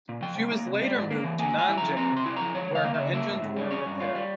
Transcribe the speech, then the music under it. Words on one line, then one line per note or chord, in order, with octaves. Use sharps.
She was later moved to Nanjing where her engines were repaired.
A#2
F3 G5
C2
A#3
C3
G3
G#2
A#3
E3
A#3 G#5
G#2
G#5
E4
A#5
F3
C4 A#5
C3 C6
E4
F3 A#5
F3 C#5
C#2 F5
A#3
C#3 E5
A#3 E5
G#2
G#2
G3
C#4 C#5
G2
F4
G3